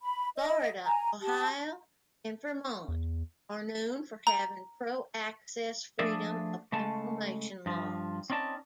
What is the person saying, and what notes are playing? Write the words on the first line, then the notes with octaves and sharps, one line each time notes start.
Florida, Ohio, and Vermont are known for having pro-access freedom of information laws.
B5
D#5
G#5 A#5
G4 A5
E2
A#5
F3 A3 D4 G#4 D5 E5
C#3 G#3 A3 A5
G2 F3
C4 C#4 D#4 D5 A5